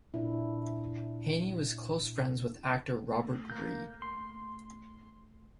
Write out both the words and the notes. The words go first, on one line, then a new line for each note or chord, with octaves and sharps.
Haney was close friends with actor Robert Reed.
A#2 D4 E4
A3
A#3 G6
C6